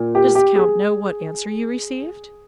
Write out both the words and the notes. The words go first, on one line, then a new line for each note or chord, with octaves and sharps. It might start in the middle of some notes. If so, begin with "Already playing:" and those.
"Does the count know what answer you received?"
Already playing: A#2
G4
G4
G#4